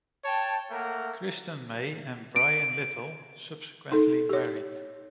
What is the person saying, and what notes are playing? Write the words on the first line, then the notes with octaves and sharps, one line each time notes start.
Kristen May and Brian Little subsequently married.
C#5 G5 A5
A3 A#3 A#4 F#5
D7
D#4 A4
G4 C#5